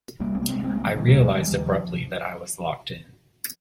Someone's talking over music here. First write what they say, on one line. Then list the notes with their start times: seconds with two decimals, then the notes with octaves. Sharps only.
I realised abruptly that I was locked in.
0.20 C2 G3 A#3
0.34 G#3 C4
0.42 C3 A#3
0.49 G#3 C4
0.59 A#3
0.63 C2 G#3 C4
0.75 G3 A#3
0.85 C3 F3 G#3
0.97 D#3 G3
1.07 D#2 G3 A#3
1.22 F3 G#3
1.29 C#3
1.36 D#3 G3
1.51 D#2 D#3
1.66 F3